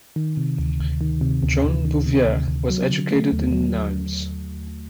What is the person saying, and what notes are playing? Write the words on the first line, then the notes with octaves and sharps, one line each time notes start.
John Bouvier was educated in Nimes.
D#3
C3
D2
D2
D#3
C3
D2
D2
D#3
C3
D2
D2
F#3
D3
A3
D#2
F#3